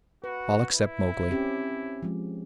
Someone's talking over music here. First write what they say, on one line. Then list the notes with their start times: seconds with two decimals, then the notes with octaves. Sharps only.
All except Mowgli.
0.24 F#4 B4
0.72 E4
1.30 C4 C#4 G4
2.03 F3 G#3